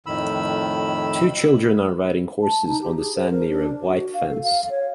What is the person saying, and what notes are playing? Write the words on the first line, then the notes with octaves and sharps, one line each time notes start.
Two children are riding horses on the sand near a white fence.
F2 A2 D#3 B5 E6
A5
D#4
G4
G#4
C5
A#4
D4
F#4
F5
A4
F5
C#5